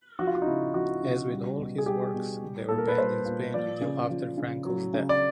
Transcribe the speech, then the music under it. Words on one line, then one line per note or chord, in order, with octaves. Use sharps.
As with all his works, they were banned in Spain until after Franco's death.
F3 F#4
F4
F#4
D#4
C#3 E4
F3 F#4
C#3
G3
B2
G#4
G3 G4
B2
G3
A#2 A4
A#4
B4
G3 C5
A#2
F3 D5
C#3
F3
C#3
F#3
C#3
D5